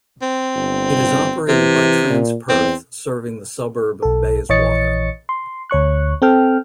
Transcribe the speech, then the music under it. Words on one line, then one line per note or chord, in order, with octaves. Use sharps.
It is operated by Transperth serving the suburb of Bayswater.
C4
G1
C3 E3
A#2
E2 C4
B1 A4
A#1 E3 C#5 D#5 A6 C#7
C6
D2 C#5 C#6 F#6
C4 A4 G5 F6